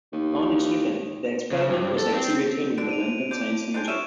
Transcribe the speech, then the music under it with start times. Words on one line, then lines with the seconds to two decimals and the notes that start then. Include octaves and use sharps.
On its return, the experiment was exhibited in the London Science Museum.
0.13 D#2
1.51 C#3
1.70 G2
1.98 A4
2.12 C4
2.78 D3 D4 D7
2.90 D#7 F7
3.31 D3 D5 G6 D7
3.74 D4 C5 G#5
3.88 C#5 E5 F6 D#7 E7